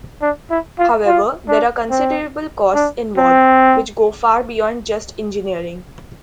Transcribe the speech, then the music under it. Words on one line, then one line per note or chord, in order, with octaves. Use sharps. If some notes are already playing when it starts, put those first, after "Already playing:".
However, there are considerable costs involved, which go far beyond just engineering.
D4
E4
F4
F4
D4
C4
D4
C4